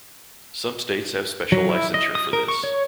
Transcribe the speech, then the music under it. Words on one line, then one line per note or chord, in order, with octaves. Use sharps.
Some states have special licensure for this.
F#3
E4
D#5
D#6
A#4
C#6
C#5